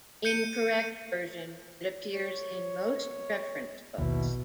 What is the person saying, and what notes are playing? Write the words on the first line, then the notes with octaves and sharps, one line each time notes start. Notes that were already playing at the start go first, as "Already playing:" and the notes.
Incorrect version that appears in most reference books.
G6 C#7 D#7
C#5
A#1 D#2 B2 E4